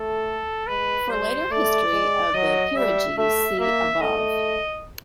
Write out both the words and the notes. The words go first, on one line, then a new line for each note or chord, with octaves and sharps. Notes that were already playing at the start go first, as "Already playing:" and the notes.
For later history of the peerages, see above.
Already playing: A3 A4
G#3 B4
G3 C5
A3 D5
G#3
F#3 D#5
G3 E5
A3 E5
A#3 E5
A3 D#5